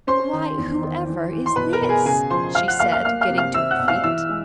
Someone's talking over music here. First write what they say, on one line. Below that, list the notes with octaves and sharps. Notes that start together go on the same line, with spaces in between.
"Why, whoever is this?" she said, getting to her feet.
C#4 C5 C6
D#3
E2
D#3
E3
E3
C6
B2 B4 B5
A#4 A#5
B2
G#4 G#5
C#3 G#4 G#5
F3 C5 C6
F3 F5 F6
F#5 F#6
A#3 F5 F6
F5 F6
A#3 F5 F6
F5 F6
C3
F5 F6
C4 E5 E6
F#5 F#6
B2
F5 F6
E3 E5 E6
G#3